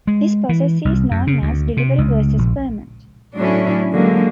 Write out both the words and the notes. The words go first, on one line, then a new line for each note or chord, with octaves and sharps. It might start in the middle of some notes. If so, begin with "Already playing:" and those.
This process is known as delivery versus payment.
G#3
E3
C2
F#2
C#3
D2
C3
C#2
A#1
A2 F#3 C#4 D4 E4
D3 F#3 G#3 A#3